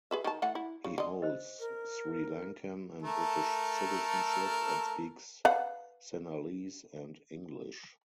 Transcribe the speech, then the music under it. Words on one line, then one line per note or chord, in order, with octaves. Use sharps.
He holds Sri Lankan and British citizenship, and speaks Sinhalese and English.
G#4 B4 E5
D#3 A5
E3 A3 F#5
E4
C#3
D3 D#5
C5 D#5
A#4
A3 A4 A#4
B4 F5 F#5